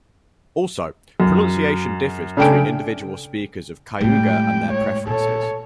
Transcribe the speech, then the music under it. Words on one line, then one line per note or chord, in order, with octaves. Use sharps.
Also, pronunciation differs between individual speakers of Cayuga and their preferences.
F#2
C#3 A3 D4 G5 G#5 D7
A2 G3 G#3 G5
C#5
A#2 A4 C#5